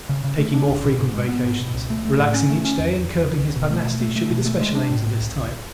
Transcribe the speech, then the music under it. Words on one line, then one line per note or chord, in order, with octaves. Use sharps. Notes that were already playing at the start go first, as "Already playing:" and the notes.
Taking more frequent vacations, relaxing each day, and curbing his pugnacity should be the special aims of this type.
C#3
C#3
A3
D4
C#2
B2
G#2
G#3
B3
G#2
B2
C#2
A3
A3
A2
C#4
A3
C#4
E2
E2
E2
C#3
C#2
B2
A3
B2
A3
A3
B2
A3
G#3
D4
A2
A2
C#2
C#2